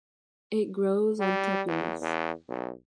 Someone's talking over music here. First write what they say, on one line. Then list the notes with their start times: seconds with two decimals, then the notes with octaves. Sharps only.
It grows on tepuis.
1.20 G3
1.67 E2
2.01 E2
2.49 B1